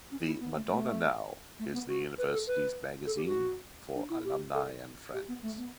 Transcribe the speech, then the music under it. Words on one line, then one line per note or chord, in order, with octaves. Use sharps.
The "Madonna Now" is the university's magazine for alumni and friends.
C#4
E4
B3
A3
A3
A3
B3
F#4
B4
A4
B4
A4
G4
F#4
D4
E4
G4
A4
G4
B3
A3
B3